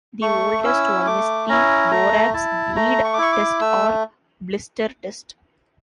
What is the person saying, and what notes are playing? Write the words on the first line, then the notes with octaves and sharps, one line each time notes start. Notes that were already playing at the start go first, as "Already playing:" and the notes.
The oldest one is the borax bead test or blister test.
A3 C#6
C#4 E4 E6
A3 D6
C#4 E4 A#5
A3 A#5
E4 A5
A3 A#5
C#6
D6
E4 C#6
D6
A3 E6